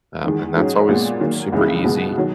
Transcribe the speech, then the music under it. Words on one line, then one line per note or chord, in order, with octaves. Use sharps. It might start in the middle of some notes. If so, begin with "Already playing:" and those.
um, and that's always super easy.
E2 D#3 G#3
G#2 F#3 C#4 G#4
A#2 G#3 B3
D#3 F#3 A#3
C#2 C#3 E3 G#3 D#4
B2 G#3 B3
D#3 F#3